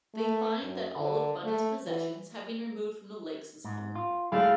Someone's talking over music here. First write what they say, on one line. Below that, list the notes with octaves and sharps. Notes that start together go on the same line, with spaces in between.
They find that all of Bunny's possessions have been removed from the Lakes' home.
A3
F#2
D3
A3
E3
G#2
F4
G#3 A3 C#4 D4 E4 G#4 F5